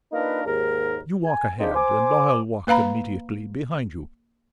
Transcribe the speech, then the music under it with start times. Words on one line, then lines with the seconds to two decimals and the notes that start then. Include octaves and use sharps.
You walk ahead and I'll walk immediately behind you!
0.12 A#3 D4 D#4 F4 A#4 B4
0.45 D#2 G#2 A#4
1.24 G#5
1.59 C4 D4 D#4 F4 G4 G#4
1.74 C5 G#5 D6
2.67 A#3 B4 F5 A#5 B5